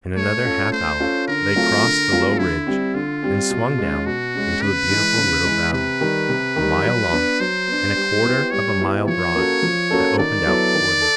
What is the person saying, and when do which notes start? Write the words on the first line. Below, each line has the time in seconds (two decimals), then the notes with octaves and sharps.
In another half hour they crossed the low ridge and swung down into a beautiful little valley, a mile long and a quarter of a mile broad that opened out before them.
0.16 A3 C#5
0.44 C#4 F4 A4
0.72 A3 C5
1.00 C#4 F4 A4
1.28 D3 A#4
1.56 F#3 A3 C4 F4
1.83 D3
2.12 F#3 A3 C4 F4
2.39 D3 E4
2.67 G3 C4
2.94 D3 F4
3.23 G3 C4
3.50 B2
3.78 G#3 C#4
4.06 B2 F#4
4.34 G#3 C#4
4.62 C#3 B4
4.89 E3 G#3
5.17 C#3
5.45 E3 G#3
5.72 C3 B4
6.01 D#3 G3
6.29 C3
6.56 D#3 G3
6.85 F#3
7.12 B3 D4
7.40 F#3 C5
7.68 B3 D4
7.95 G3
8.23 B3 E4 G4
8.51 G3 C#5
8.80 B3 E4 G4
9.07 F3 C#5
9.35 A#3 C#4 F#4 A4
9.63 F3
9.91 A#3 C#4 F#4 A4
10.18 D#3 D5
10.46 F#3 B3 E4 A4
10.74 D#3
11.02 A4